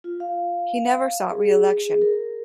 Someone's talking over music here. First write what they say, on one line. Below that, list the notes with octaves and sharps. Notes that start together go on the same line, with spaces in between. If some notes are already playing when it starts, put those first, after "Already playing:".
He never sought re-election.
F4
F5
G#4
G#4
A#4